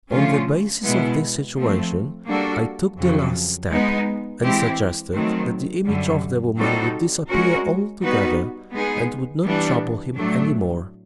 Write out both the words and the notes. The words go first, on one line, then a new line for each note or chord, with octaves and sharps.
On the basis of this situation, I took the last step and suggested that the image of the woman would disappear altogether and would not trouble him any more.
D3 F3 A3 C#4 F4
B2 G#3 B3 E4
F3 A3 C4
G3 A#3 D4 F#4 A4
F2 C#3 F#3
G#3 B3 D#4
E3 G#3 C4 E4 G4
D#3 F#3 A3 C4
F#2 D3 G3
G3 C4 D#4 F#4 A4
G#3 C#4 F#4 A#4
G3 B3 D#4 F#4 B4
G#3 B3 D#4 G#4
E3 G3 B3 D4
A2 F#3 A3 D4